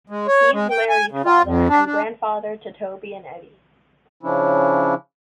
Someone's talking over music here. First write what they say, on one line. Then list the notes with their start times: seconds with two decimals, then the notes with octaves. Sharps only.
He's Larry's father, and grandfather to Toby and Eddie.
0.10 G#3
0.27 C#5
0.53 G#3
0.71 G5
0.89 G#5
1.11 C#3
1.25 F4
1.44 F2
1.69 D4
1.86 D4
4.23 C#3 F3 C#4 D4 E4